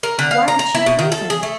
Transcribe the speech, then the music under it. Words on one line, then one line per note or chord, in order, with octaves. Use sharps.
'Why did she poison?
A#4
D3
F5
A#5
A#5
E4
B2
D#3
A4
G#4
A3